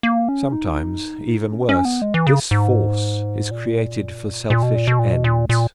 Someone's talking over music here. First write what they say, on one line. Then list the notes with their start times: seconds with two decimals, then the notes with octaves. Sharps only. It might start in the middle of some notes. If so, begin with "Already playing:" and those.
Sometimes even worse, this force is created for selfish ends.
0.03 A#3
0.29 C#4
0.52 D#4
1.52 C#4
1.69 C#4
1.85 B3
2.02 G#3
2.14 E3
2.27 C#3
2.51 G#2
3.51 A#2
4.50 A#2
4.63 B2
4.75 A#2
4.87 B2
4.99 A#2
5.12 B2
5.24 A#2
5.49 A#2